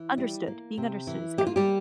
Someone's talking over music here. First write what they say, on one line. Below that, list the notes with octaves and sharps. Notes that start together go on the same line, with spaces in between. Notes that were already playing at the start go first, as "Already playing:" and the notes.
understood, being understood is everything.
Already playing: E3
G3
A#3
C3
E3
A#3 G4
F4
G3 G4